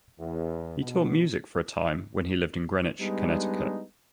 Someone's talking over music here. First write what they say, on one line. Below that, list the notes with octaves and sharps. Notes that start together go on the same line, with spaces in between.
He taught music for a time when he lived in Greenwich, Connecticut.
E2
B2
G3 G#3 B3 D4 D#4